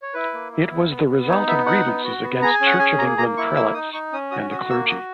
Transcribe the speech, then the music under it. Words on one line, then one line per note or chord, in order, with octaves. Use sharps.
It was the result of grievances against Church of England prelates and the clergy.
C#5
E4 B4
A#3
E4
B3
B3
B3
D#4 C#5
B3 E5
D#4 F#5
B3
F#4
B3
G#4 A#5
G#5
C#4
F#5
G#4 G#5
A#3 A#5
A#3 A#5
E4 C#6
A#3 E6
D#4 D#6
D#4 C#6
C#4 D#6
F#4 D#6
F#4 D#6
A#3 E6
F#4 D#6